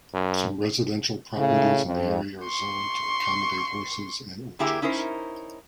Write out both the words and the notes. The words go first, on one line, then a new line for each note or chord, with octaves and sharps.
Some residential properties in the area are zoned to accommodate horses and orchards.
F#2
A2 C#3
F2
C6 C#6
D3 A#3 E4 G4 G#4 E5
C#4 D#4 E4 A#4 C5